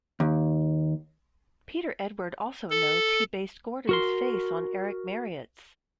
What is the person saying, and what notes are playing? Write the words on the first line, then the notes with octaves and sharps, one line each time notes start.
Peter Edwards also notes that he based Gordon's face on Eric Marriot's.
D#2
A4
F#4 A#4 C6